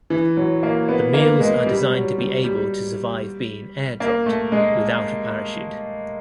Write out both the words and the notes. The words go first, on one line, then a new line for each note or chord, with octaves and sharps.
The meals are designed to be able to survive being air-dropped, without a parachute.
E3
F#3
A#3
B3
A#3
G#3
G3
F#3
G3
G3
A#3
A3
G#3